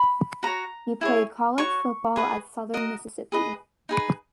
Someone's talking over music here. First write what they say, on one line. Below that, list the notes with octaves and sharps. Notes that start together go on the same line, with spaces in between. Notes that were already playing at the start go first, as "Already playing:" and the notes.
He played college football at Southern Mississippi.
Already playing: B5
F#4 C#5 A#5
E4 G#4 C#5
F#4 C#5 C#6
G#4 B4 D#5
F#4 A#4 D#5
G#4 B4 D#5
D#4 G#4 B4